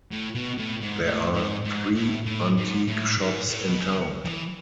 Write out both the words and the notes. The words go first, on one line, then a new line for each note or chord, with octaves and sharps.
There are three antique shops in town.
A2
B2
A2
G#2
A2
G#2
G#2
A2
A2
G#2
A2
G#2
A2
B2
C#3
E3